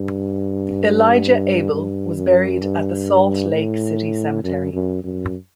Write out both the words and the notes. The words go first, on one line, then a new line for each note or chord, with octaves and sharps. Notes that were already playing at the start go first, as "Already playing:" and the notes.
Elijah Abel was buried at the Salt Lake City Cemetery.
Already playing: G2
G2
F#2
G2
A2
F#2
F#2
F#2